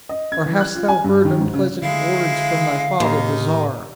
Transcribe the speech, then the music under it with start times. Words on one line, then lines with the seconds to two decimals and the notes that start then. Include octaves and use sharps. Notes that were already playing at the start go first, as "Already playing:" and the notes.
"Or hast thou heard unpleasant words from thy father the Tsar?"
0.09 D#5
0.32 G#6
0.46 E3
0.61 F#6
0.75 F4
0.88 G#5
1.04 G2
1.25 D#3
1.40 G#2
1.54 C#3
1.82 D3 G#3 E4 F5
3.00 D#2 A2 D#3 D#4